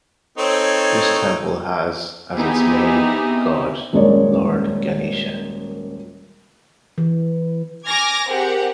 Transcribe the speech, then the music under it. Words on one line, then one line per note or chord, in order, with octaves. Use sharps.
This temple has as its main god Lord Ganesha.
C4 D#4 A4 C#5
B3 C4 D#4 E4 G4 G#4
D#1 F#2 G#3 A#4 C#5 D5
E3
G#5 D6 F6 G#6 A#6
C4 G4 G#4 A#4 F#5